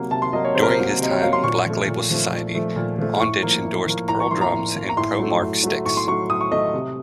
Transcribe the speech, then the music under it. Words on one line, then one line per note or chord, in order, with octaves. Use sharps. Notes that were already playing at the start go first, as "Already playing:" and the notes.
During his time in Black Label Society, Ondich endorsed Pearl Drums and Pro-Mark Sticks.
Already playing: C3 F#3 A#3
C3 A5
C6
F#3 A#3 D#5
C#5
C3 C5
A#4
C5
F#3 A#3
C3 D#5
C#5
F#3 A#3 F5
C6
A#2 C#6
F3 A3
A#2
F3 A3
A#2
F3 A3
A#2
F3 A3
A2 C#6
F3 A#3
A2
F3 A#3
A2 A#5
C#6
F3 A#3 C6
A#5
A2
F3 A#3
A#5
A2 C6
F#3 A3
A2
F#3 A3
A2 C#6
C6
F#3 A3 C#6
A2 D#6
C#6
F#3 A3 D#5
C3